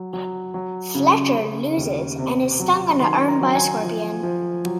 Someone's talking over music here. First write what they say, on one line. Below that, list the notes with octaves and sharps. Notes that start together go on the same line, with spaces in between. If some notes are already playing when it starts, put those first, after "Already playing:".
Fletcher loses and is stung on the arm by a scorpion.
Already playing: F#3
F#3
F#3
C#3
C#3
D#2
C3
F#3
D#3 C6
A#5
F#3
G#5
F3
F3
F#3